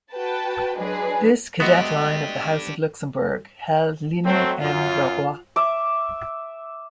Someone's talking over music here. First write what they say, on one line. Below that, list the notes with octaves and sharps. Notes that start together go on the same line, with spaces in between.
This cadet line of the House of Luxembourg held Ligny-en-Barrois.
F#4 B4 G5 A5
F#3 G#3 D4 G#4 B4
G#3 A3 B3 D4 F#4 G4
F#3 A3 C4
F#2 F4
E5 D6